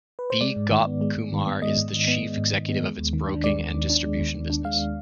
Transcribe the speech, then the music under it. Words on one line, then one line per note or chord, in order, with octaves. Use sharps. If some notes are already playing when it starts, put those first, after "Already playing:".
B Gopkumar is the Chief Executive of its broking and distribution business.
B4
C5
G#3 D5
G#2
D#3
B3
G#3
G#2
D#3
B3
G#3 D#5
G#2
D#3
B3
G#3
G#2
D#3
B3
G#3
D#2
D#3
D4
G#3 D5
D#2
D#3
D4
G#3
D#2
D#3
D4
G#3 F5